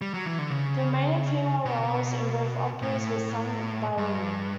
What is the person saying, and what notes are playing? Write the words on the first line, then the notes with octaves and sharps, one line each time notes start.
The remaining female roles in both operas were sung by women.
G3
F#3
E3
D3
C#3
B2
A2
G2